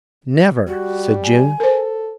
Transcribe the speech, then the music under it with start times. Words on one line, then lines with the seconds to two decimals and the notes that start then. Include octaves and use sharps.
"Never," said June.
0.67 G3 F#4
1.23 G#5
1.60 A4 A#4 C5